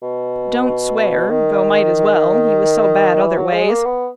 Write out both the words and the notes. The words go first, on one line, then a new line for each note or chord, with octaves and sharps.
"Don't swear, though might as well; he was so bad other ways."
B2
D#3
E3
F#3
G#3
A#3
B3